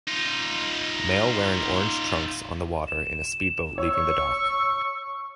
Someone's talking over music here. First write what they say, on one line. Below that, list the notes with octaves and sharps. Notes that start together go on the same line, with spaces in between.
Male wearing orange trunks on the water in a speedboat leaving the dock.
D#4 F4
E7
C#5 C#6 E6